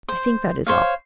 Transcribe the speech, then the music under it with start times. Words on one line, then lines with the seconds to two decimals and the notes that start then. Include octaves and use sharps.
I think that is all.
0.08 C5
0.67 C5 C#5 F5